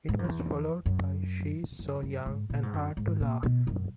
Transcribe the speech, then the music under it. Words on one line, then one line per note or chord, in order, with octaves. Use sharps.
It was followed by "She's So Young" and "Hard To Laugh".
G#2
F#2
E2
F#2
F#2
F#2
G#2
A#2
G#2
F#2
G#2
A#2
B2
F#2